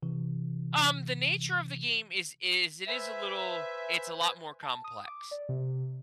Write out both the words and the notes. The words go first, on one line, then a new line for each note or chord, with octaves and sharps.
Um, the nature of the game is is it is a little it's a lot more complex.
C3 E3
B4 C5 E5 G#5
A5
D#6
D6
D5
C3